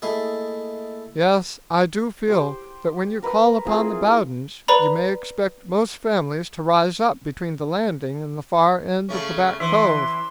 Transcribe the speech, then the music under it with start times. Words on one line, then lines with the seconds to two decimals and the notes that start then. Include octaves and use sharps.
Yes, I do feel that when you call upon the Bowdens you may expect most families to rise up between the Landing and the far end of the Back Cove.
0.02 A3 A#3 E4 G#4 D#5
2.28 G4 C5
3.22 A#4 B4 A5
3.65 C4 E4 F4 G#4
4.68 B4 D5 A#5 B5
9.09 C#3 A3 C#4
9.60 E3 E5 C6